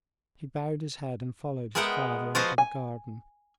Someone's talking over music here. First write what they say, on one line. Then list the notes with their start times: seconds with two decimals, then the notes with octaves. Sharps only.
He bowed his head, and followed his father into the garden.
1.75 G#3 B3 A#4 E5 F#5 G5
2.35 F3 F4 F#4 B4 C5 D#5
2.58 G#5